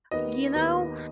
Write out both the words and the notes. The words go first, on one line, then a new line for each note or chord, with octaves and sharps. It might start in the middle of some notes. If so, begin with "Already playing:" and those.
You know,
D#2 D#3 B3 D#5
D#2 D#3 B3